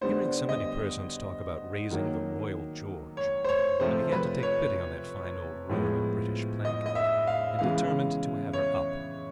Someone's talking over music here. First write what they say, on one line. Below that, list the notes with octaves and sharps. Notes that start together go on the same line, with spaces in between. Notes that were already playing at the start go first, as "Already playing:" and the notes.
Hearing so many persons talk about raising the "Royal George," I began to take pity on that fine old ruin of British plank, and determined to have her up.
D3 G3 B3 C5
D#5
D#3 F#3 A#3
C#5
C5
C#5
C3 F3 A3 C5
B4
C#5
A2 F3 G#3 B3
D#5
D#5
E5
F5
C#3 E3 G#3 B3 F5
C#5